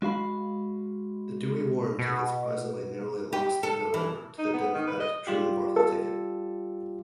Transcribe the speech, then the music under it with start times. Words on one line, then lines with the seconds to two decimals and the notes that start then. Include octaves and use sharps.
The Dewey-Warren ticket surprisingly narrowly lost that November, to the Democratic Truman-Barkley ticket.
0.02 G#3 F#4 F5 B5
1.99 B2
3.33 G4
3.63 A4
3.94 E3
4.38 D#4
4.53 B3
4.74 D#3
4.87 B4
5.00 D#5
5.27 G3 F4 G4
5.76 A4